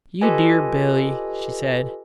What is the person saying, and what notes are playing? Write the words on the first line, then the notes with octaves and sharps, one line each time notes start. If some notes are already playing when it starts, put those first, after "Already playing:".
"You dear Billy," she said.
F4 G4 A4 B4 D#5 G#5